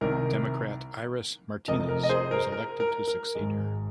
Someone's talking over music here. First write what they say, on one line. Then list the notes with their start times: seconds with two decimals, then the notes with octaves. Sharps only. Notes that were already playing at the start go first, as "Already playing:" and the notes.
Democrat Iris Martinez was elected to succeed her.
0.01 C2 C3 D#3 A#4
1.68 F1 F2 C3 A#4 D#5
1.89 A#4
2.03 D#5
2.09 G#4 C5
2.31 A#4
2.52 A#4
2.80 A#4
3.08 A#4
3.35 G#1 G#2 G#3